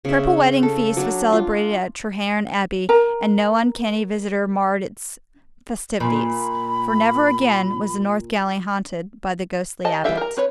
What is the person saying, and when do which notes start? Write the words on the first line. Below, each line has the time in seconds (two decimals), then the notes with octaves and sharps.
The triple wedding feast was celebrated at Treherne Abbey, and no uncanny visitor marred its festivities, for never again was the north gallery haunted by the ghostly Abbot.
0.05 C#3 E5
0.63 A4
0.97 F#3 D4
1.32 F4
2.89 A#4 A#5
6.00 A#2 B5
9.85 G4 D#5 A5
10.04 E3 G3 G4 E5 F5
10.17 A#4 A#5
10.37 C4 B4 C#5